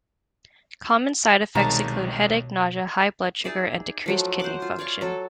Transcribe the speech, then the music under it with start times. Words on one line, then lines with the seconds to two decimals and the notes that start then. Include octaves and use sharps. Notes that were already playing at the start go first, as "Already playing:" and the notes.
Common side effects include headache, nausea, high blood sugar, and decreased kidney function.
1.55 C2 B2 D#3 G#3 C#5 A5 A#5
3.44 D#4 G#4 D5 E5
4.06 F3 F#3 A3
4.39 C5 F#5 D6
4.62 F4
4.79 C#5 D5 F5 C#6
5.01 F#3 A4